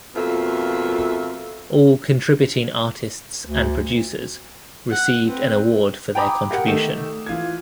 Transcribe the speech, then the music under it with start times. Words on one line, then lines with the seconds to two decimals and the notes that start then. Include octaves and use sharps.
All contributing artists and producers received an award for their contribution.
0.16 F2 B2 A3 A#3 F4 E5
3.47 D2
4.90 F#5
5.25 C4 B4
6.15 G5 G#5 A#5 B5 D6 D#6
6.51 G4 A#4 F#5
6.67 D#3 A3 E7
7.26 E3 F4 G#6